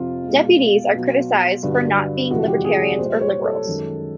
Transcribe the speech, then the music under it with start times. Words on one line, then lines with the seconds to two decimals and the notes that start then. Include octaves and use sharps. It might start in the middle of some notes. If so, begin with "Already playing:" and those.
Deputies are criticized for not being libertarians or liberals.
Already playing: F2 C3 F3 F4
0.26 B2 G#3
0.94 B2 F#3
1.63 G2 D3 F#3
2.30 F2 C3 E3 G#3 F#4
2.47 G4
2.65 G#4
2.81 D5
2.98 A#2 G3 C5
3.21 C#5
3.44 A4
3.66 F#2 D#3 G#3